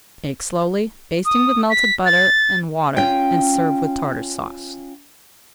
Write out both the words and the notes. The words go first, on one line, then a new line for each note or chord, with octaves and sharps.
Bake slowly, basting with melted butter and water, and serve with Tartar Sauce.
D#6
B6
A6
C#4 F4 G5